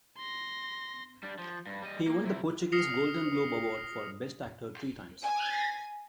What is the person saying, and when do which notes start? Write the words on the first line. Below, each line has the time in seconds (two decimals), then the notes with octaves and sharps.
He won the Portuguese Golden Globe award for best actor three times.
0.18 C6 A#6
1.23 G3 D4
1.39 F3
1.67 G2
1.83 G3 D#5
2.07 A#3
2.24 C3 E4
2.72 D#6 F6 A#6 C7 C#7 F7
5.23 G#5